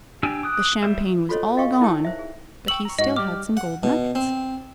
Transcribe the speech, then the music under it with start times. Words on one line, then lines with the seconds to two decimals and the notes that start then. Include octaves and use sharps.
The champagne was all gone, but he still had some gold nuggets.
0.23 D4 G4 G#5 E6
0.43 D6 D#6 F#6
0.83 G3 C5 E5
1.29 F4 F#4 A4 C5 C#5 D#5
1.57 D#5 F5 G5 C#6 D#6
1.81 D#4 E4 A#4 C#5 G5 D#6
2.04 C5 E5
2.19 G#4
2.68 G5 C#6 E6 F#7
2.85 A#5 C#6
2.99 G#2 F#4 D#5
3.16 G3 G4 D6 F6
3.57 F#5
3.83 B2
4.15 C4